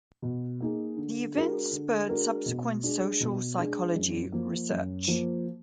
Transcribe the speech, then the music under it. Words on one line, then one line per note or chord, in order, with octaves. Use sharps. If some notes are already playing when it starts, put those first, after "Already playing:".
The event spurred subsequent social psychology research.
B2
A#3 D#4 G#4
D3
G#3 D4 F#4 A#4
D3
G#3 D4 F#4 A#4
B2
G#3 D4
B2
G#3 D4
F#2
F3 A#3
F#2
F3 A#3